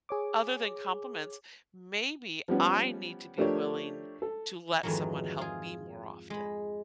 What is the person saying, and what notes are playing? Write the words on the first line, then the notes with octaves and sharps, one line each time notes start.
other than compliments, maybe I need to be willing to let someone help me more often.
G#4 C#5 D6
F3 G3 B3 C#4
F3 A3 D4 G4 A#4 C#5
A4
F2 G#2 D#3 E3 F#3
F4 G#4
G#3 B5